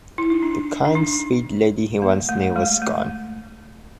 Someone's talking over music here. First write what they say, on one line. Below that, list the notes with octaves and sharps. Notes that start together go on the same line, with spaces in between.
The kind, sweet lady he once knew was gone.
E4
D#4
D4
D4
D#4
A#3
A3
G#3
A3